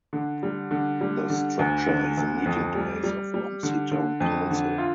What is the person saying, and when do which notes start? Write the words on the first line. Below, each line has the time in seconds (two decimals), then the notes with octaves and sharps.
The structure is the meeting place of Romsey Town Council.
0.13 D3
0.43 G3
0.71 D3
1.01 G3
1.30 D3
1.59 D2
1.87 D3
2.17 D2
2.46 F2
2.75 G3
3.04 G3
3.34 G3
3.63 D3
3.91 D3
4.20 F2
4.50 D3
4.78 F4